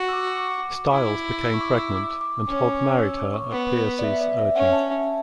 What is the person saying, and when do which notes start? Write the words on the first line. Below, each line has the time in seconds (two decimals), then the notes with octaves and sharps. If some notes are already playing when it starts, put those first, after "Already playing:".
Styles became pregnant, and Hogg married her at Pearcey's urging.
Already playing: F#4
0.09 E6
0.13 D6
0.27 C#6
0.39 D6
0.91 E4
1.43 E6
1.54 C#6
1.61 D6
1.78 E6
1.95 D6
2.21 D6
2.48 C#4
2.99 E6
3.17 D6
3.34 C#6
3.52 B3
3.99 D5
4.04 E5
4.21 D5
4.38 E5
4.56 C#4 F#5
4.73 A5
4.90 E5